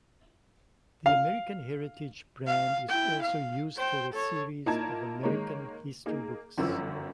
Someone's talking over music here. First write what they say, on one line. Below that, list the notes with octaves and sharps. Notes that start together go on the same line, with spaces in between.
The "American Heritage" brand is also used for a series of American history books.
F5
F5
E4 G5
F5
C5 G5
A4 C#5
A#2 A#3 D#4 E4 A5 G#6
D#3 G#3 A#3 A#4 C#5
A#3 D#4 G#4
G1 F#2 E3 F3 E6